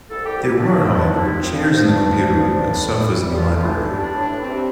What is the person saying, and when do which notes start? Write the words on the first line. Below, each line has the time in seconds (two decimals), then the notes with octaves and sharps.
There were, however, chairs in the computer room and sofas in the library.
0.09 C2 A4
0.25 C2 G4
0.41 A#2 E4
0.58 F3 D4
0.74 C2 C4
0.90 C2
0.95 D4
1.07 A#2
1.18 E4
1.23 F3
1.39 F3 C4
1.56 G2
1.61 C4
1.71 F3
1.82 D4
1.88 G2
2.04 F3
2.20 G2
2.37 F3
2.53 G2
2.69 A2
2.85 A2
3.01 E3
3.17 G3
3.29 G4
3.34 A2 F4
3.50 A2
3.66 E3 D4
3.82 G3
3.98 A2 D4
4.15 A2
4.20 D4
4.31 E3
4.42 C4
4.47 G3